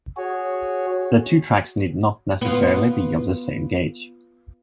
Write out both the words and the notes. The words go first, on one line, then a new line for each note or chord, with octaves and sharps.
The two tracks need not necessarily be of the same gauge.
F#4 G#4 C#5
B3 F4